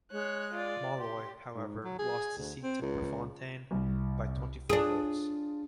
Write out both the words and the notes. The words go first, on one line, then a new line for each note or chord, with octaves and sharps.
Molloy, however, lost his seat to Prefontaine by twenty-four votes.
G#3 C#5 F#6
F4 D5
G4 C6
G#2
F#3
G#4
D2
C4
C#2
C2
D4 F4 G#4 A5